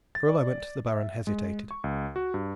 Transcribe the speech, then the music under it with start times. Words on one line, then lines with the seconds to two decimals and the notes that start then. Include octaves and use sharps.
For a moment the Baron hesitated.
0.15 A6
0.29 D5
0.88 E5
1.27 G#3
1.71 C#6
1.84 C#2
2.16 F#4
2.34 G2